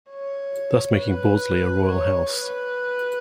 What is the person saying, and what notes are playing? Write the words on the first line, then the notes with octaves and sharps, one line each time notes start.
Thus making Bordesley a royal house.
C#5
B4
C#5
B4